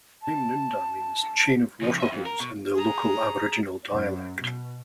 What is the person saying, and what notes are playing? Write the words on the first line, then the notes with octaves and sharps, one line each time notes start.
The name "Nundah" means "chain of water holes" in the local Aboriginal dialect.
A5
C#3 F3
D#5 E5
F2
A#4
B2
G#4 A#5
F#2
B2